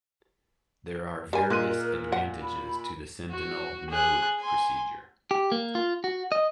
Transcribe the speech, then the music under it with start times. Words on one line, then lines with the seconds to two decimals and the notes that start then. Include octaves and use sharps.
There are various advantages to the sentinel node procedure.
1.33 G3 A#4 G#5
1.50 A#2 G#3 F#6 D#7
2.12 F#5
2.43 B5
3.31 F#4
3.90 G#4 F#6
4.40 G#5 C6
5.31 G4
5.52 A#3
5.75 F4
6.04 F#4
6.32 D#5